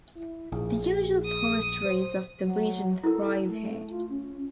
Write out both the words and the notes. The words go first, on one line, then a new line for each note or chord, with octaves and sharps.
The usual forest trees of the region thrive here.
E4
A#1 G#4
D#6
C5
F#3
E4 F#4 A4 A#4
A3
F4
C#4